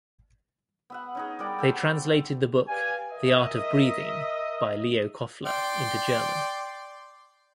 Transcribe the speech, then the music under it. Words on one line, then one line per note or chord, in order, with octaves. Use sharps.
They translated the book "The Art of Breathing" by Leo Kofler into German.
B3 E5 F#5
C#4 D#4 G#4
G3 A#4 D5 G5
C4 F#4 A4 G5
G4 B4 D5 F5 G#5
A#4 D#5 E5
D5 G5 C6